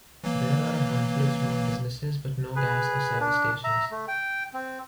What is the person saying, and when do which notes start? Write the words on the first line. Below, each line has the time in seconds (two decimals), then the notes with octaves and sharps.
There are a handful of small businesses, but no gas or service stations.
0.24 E3 F#3 A#3
2.56 G#4 B4
3.21 D4
3.64 E5 A#5
3.91 A3
4.08 G5
4.54 C4